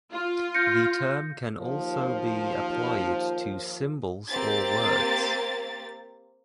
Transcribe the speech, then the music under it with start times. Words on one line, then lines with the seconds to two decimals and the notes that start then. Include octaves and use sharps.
The term can also be applied to symbols or words.
0.12 F4
0.54 G6 A#6 C#7
1.57 D#2 F3
4.28 A#3 C4 G4 A6